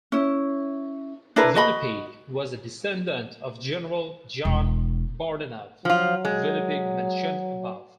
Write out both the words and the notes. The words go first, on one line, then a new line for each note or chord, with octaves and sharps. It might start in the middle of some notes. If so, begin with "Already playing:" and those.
Villepigue was a descendant of General John Bordenave Villepigue mentioned above.
C#4 E4
D4 E4 A#4 B4
F#4 D#5 B5
E1
F3 F#3 F4
G#3